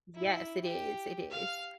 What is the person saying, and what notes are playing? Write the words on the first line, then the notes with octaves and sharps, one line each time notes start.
Yes, it is, it is.
E4
G4
F5